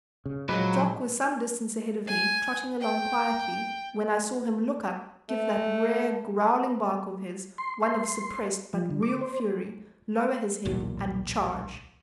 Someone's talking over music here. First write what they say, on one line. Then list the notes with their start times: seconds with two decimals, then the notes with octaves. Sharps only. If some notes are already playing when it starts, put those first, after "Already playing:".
Jock was some distance ahead of me, trotting along quietly, when I saw him look up, give that rare growling bark of his--one of suppressed but real fury--lower his head, and charge.
0.26 C#3
0.49 A#2 F3 F#3 G#3 B4 C#5
2.07 G#5
2.81 G5
5.29 A3
7.58 C6
7.83 C6
8.74 F3
8.91 D3
9.03 D6
9.21 C5
10.65 D1 B1 E2 A#2